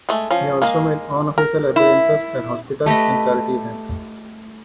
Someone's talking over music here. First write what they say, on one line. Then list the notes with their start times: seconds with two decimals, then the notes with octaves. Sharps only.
He also made unofficial appearances at hospitals and charity events.
0.09 G#3 A3
0.31 F3 C#4
0.62 G#3 A#3
1.38 A#4
1.76 E4
2.86 A3 G4 B4 D#5